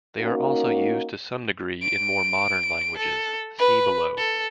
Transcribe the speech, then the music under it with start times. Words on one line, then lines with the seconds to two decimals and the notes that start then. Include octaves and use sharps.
They are also used to some degree in more modern languages; see below.
0.19 A#3 C#4 D#4 F#4 A#4
1.82 D7
2.97 A4
3.59 B4
4.18 A4